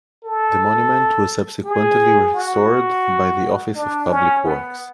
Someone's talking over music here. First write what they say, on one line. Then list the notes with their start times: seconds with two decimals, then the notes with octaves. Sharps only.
The monument was subsequently restored by the Office of Public Works.
0.24 A4
1.65 G#4
2.35 F#4
3.75 D4
4.11 C#4
4.45 B3